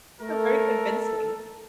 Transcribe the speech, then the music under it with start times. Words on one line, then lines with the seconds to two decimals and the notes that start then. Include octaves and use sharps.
You're very convincing.
0.21 A3 A4 A#4